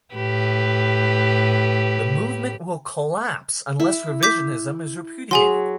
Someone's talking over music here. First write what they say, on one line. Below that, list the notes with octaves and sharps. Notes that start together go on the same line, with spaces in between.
The movement will collapse unless Revisionism is repudiated.
A2 G4 B4
E4
D6 G6 B6
F#3 G#4 G#5 C6